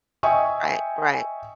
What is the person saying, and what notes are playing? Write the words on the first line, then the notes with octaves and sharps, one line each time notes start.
Right, right.
D#5 E5 G5 G#5 C#6 D#6